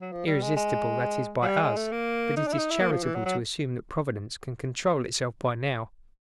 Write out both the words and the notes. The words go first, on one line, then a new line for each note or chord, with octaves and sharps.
Irresistible, that is by us; but it is charitable to assume that Providence can control itself by now.
F#3
F3
G3
G#3
G#3
F#3
G3
G#3
A3
A#3
D#4
D4
E4
D#4
E4
A#3
F3
E3
F#3
F#3